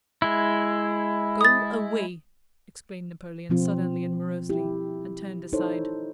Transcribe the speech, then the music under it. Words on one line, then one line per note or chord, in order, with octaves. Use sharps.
"Go away..." exclaimed Napoleon suddenly and morosely, and turned aside.
G#3 E4
D#6 A6
B2 F3 C4 F4
E4 G4
D#4 E4 A4 C5 C#5